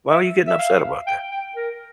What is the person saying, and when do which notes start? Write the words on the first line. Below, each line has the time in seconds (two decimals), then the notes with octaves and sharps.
why are you getting upset about that?"
0.10 E5
0.47 E5
0.58 F5
1.06 G5
1.31 G5
1.55 A#4